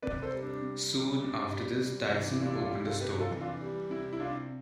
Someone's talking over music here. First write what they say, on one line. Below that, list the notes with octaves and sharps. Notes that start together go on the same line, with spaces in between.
Soon after this, Tyson opened a store.
C3 B4 D5
A4 C5
G3
D4
C3
G3
C3 D4
G3
C3
E3
D4
E4
G3 D4 F4
E4
D4 F4
F4
C3 E4 G4
F4 A4
C3 G4 B4
F4 A4
E3
D4 F4
G3
C3 E4
E4
C3 D4 F4